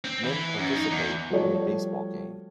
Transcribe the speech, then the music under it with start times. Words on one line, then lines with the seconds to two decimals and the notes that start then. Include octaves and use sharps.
Men participate in a baseball game.
0.04 C4
0.24 E3
0.59 F#2
0.75 D#4
0.91 E2
1.30 F3 G3 A3 F#4 C#5 D5